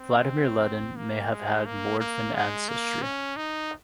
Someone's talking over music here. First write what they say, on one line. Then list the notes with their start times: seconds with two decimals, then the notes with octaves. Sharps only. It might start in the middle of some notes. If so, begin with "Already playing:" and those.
Vladimir Lenin may have had Mordvin ancestry.
Already playing: C4
0.97 A#3
1.31 G#3
1.66 A#3
2.00 A#3
2.35 G#3
2.69 A#3
3.02 C#4
3.37 D#4